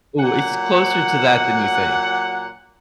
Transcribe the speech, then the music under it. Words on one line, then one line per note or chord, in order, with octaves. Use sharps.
Ooh, it's closer to that than you think.
A#2 F#3 F#5